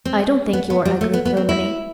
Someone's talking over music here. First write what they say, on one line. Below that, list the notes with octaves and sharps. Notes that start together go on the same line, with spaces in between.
"I don't think you are ugly, Kilmeny."
C4
B3
B3
G3
A3
B3
B3
C4
E4